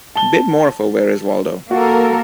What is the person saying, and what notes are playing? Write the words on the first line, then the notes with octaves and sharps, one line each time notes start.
Bit more of a 'Where Is Waldo?
A5 G7
A#3 F#4 A4 A#4